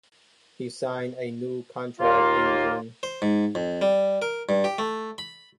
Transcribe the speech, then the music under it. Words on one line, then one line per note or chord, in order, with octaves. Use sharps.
He signed a new contract in June.
D#2 A#3 F4
C5
G#2
F2
G3
A#4
G2
G4
A3
B5